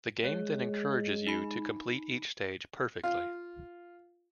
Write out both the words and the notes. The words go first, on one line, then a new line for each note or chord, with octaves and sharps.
The game then encourages you to complete each stage "perfectly".
G#3 C#5
D#4 B5
F4